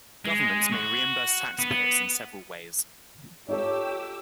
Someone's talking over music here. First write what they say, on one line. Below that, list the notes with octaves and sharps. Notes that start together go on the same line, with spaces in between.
Governments may reimburse taxpayers in several ways.
G#3
F#4
B3
D#4 F4 G4 A4 C#5 D6 E6